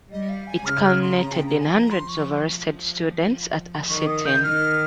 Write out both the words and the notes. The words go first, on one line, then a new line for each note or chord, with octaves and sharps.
It culminated in hundreds of arrested students at a sit-in.
G3 D#5
F5
G#5
C#3 F6
F6
C6
C#3 A#5
G5
A#5
G#5
F3 A#5
C6
C#6
D#3 C#6
D#6
G6
D#3 F6